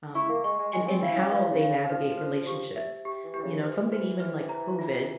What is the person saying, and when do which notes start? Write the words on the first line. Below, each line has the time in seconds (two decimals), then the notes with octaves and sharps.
um, and and how they navigate relationships. You know? Something even like COVID
0.15 E4 C#6
0.29 A#3
0.44 G#3 C#6
0.59 G#3
0.73 G#3 G#5
0.87 C4
1.02 E4 F5
1.16 C#4
1.31 E3 F5
1.51 C#3
1.60 F5
1.69 C#3
1.89 F3 C5
2.18 C5
2.47 G4
2.76 E5
3.05 G4
3.25 E3
3.34 G4
3.39 E3
3.43 C#3
3.63 E3 C5
3.92 C5
4.20 C5
4.49 A#5
4.79 F4